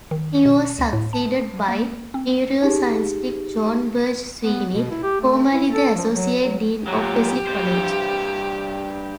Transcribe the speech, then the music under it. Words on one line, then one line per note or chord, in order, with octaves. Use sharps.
He was succeeded by neuroscientist Joanne Berger-Sweeney, formerly the Associate Dean of Wellesley College.
D#3
B2
D2
A2
A5
A#3
C4
D#4 G4 G#4
B3
B2
E4
G4
A3
E4
A4
F3
F#3
F#3
A#2 F#3 G4
G2 C5